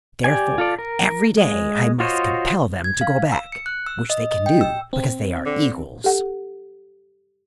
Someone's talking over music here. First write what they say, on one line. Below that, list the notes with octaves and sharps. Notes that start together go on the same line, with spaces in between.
Therefore every day I must compel them to go back, which they can do, because they are eagles.
G4 D5 G#5
F4 A4 D5
A#4
G#3
F4 F#4 C5 C#5 D#5
G#6
F5
E6
C#7
F#6
E6
D#5
D#5
G5
E6
C4
D3
G4 A4 F#5